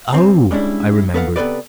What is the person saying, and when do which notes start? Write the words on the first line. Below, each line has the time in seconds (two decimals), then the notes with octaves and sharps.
"Oh!" I remembered.
0.14 F#2 C3 C4
0.51 G3 G#3 C#4 D4 E4
1.14 B3 A4 B4 D5 F5 F#5
1.36 C3 B3 G#4 A4 B4 D5